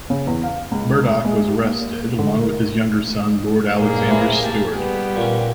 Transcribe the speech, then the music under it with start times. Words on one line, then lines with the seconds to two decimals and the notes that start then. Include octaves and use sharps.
Murdoch was arrested, along with his younger son Lord Alexander Stewart.
0.10 C#3
0.27 E2
0.43 F5
0.71 C#2
1.25 G#3
1.48 G4
1.61 A#3
2.19 D3
2.39 A#4
3.75 A#2 A#3 G#4
4.08 C3 E3
4.43 G4 G#5 A5
4.73 G3 B3 G4 G#4
5.16 A#2 A#3 C#4